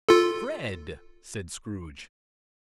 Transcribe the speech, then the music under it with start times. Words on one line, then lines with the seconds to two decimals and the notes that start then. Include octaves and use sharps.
"Fred!" said Scrooge.
0.09 F4 A4